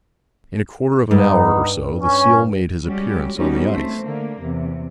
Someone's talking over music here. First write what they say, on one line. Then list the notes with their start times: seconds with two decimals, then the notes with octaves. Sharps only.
In a quarter of an hour or so the seal made his appearance on the ice.
1.11 G2 B3 D#4
2.01 C#4
2.86 G3 G#3 C#4 F#4 G4
3.38 G3 B3 C#4 D#4 F#4 G4
3.67 A3 C4 C5
4.01 D3 A3 A#3
4.42 E2 C3